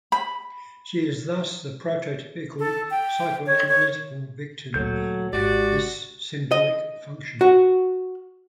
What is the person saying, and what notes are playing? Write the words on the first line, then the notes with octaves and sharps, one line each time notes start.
She is thus the prototypical psychoanalytic victim...this symbolic function'.
B5
A4
G5
C#5
C#5
D2 A#2 F#3 A4 G6
G#1 G#3 F#4 G4 D5
D#5
F#4